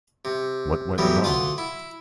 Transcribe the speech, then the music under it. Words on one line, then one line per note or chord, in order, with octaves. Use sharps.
What Went Wrong?
C3
A2 E3 F#3 G3 B3
D2 F4 F5 F#5 C6
E4